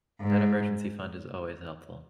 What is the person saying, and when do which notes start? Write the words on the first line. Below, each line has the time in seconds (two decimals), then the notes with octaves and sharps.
that emergency fund is always helpful.
0.22 G#2